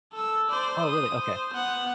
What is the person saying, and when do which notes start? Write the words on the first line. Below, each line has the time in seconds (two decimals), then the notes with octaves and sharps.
Oh, really? Okay.
0.13 A4 E6
0.48 C5 D5
0.80 D#6
1.19 C5
1.54 B3 F#5